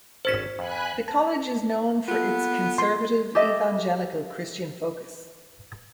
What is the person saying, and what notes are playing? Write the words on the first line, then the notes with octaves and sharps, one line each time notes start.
The college is known for its conservative evangelical Christian focus.
G#1 C#4 A4 C5 B6
F2 G#5 B5 F#6
A5
B3 F4 A4
C6
G4 A4 D#5 E5